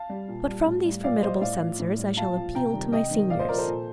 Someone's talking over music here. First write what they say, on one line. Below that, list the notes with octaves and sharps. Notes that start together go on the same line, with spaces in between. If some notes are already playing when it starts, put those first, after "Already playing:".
But from these formidable censors I shall appeal to my seniors.
Already playing: F5 A5
G3
A#2
G3
A2
G3
A#2 D5 F5
G3 C5 D#5
A2 D5 F5
F3
A2
G3
A#2 F5 A5
F3
C3 G5 A#5
D#3 G3
C3 D#5 G5
D#3 G3
A#2 D5 F5
C5 D#5
F3 A#4 D5
A4 C5
A#2